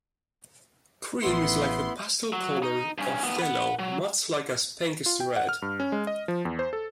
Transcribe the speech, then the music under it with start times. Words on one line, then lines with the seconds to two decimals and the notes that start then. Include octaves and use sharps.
Cream is the pastel colour of yellow, much like as pink is to red.
1.23 A1 B3 E4 C6
2.33 F#3
2.63 D#4
2.98 G2 C#4
3.22 D#2 B3
3.39 B4 F#5
3.79 F#3
5.06 F4
5.20 G5
5.36 F#5
5.49 F6
5.62 G2
5.80 C#4
5.92 G#3
6.07 D#5
6.28 F3
6.45 E2
6.59 C5
6.73 A4